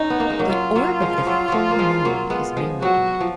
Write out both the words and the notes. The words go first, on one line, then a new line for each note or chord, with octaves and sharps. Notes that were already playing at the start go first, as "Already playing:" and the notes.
The orb of the full moon is mirrored in it.
Already playing: C#4 D#4
B3
A#3
G#3
F#3 A#3
F#3 F4
F#3 A#3
F3 G#3
F3
F#3
F3 F#3
A#3
F3 G#3
F#3 A#3
G#3 B3
F3 G#3
F#3 F#4
F3